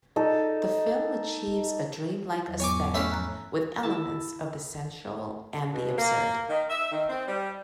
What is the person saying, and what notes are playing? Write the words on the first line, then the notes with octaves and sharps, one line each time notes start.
The film achieves a dream-like aesthetic with elements of the sensual and the absurd.
D#4 A4
E4
E2 F#3
G#2 B3 C#5 G#5 D6
A3 C#4 B5
F3 A#5 F#6
E4 A5
B2
A#3
D#3
E5
D#3
C4
G3